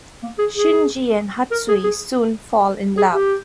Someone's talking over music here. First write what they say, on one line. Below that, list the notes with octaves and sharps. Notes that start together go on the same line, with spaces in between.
Shinji and Hatsue soon fall in love.
A#3
G#4
G#4
A#4
G#4
G#4
G#4
G4